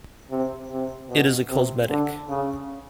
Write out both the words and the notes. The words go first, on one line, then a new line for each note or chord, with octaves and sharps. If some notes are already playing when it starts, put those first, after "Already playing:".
It is a cosmetic.
C3
C3
B2
C3
D3
C#3